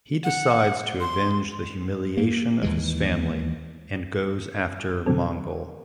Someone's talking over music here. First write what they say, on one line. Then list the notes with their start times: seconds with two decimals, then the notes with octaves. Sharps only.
He decides to avenge the humiliation of his family and goes after Mangal.
0.24 F#5
1.00 C6
2.17 A#3
2.62 D#2 E3 G#3
5.06 B2 D3 F#3 C4 A4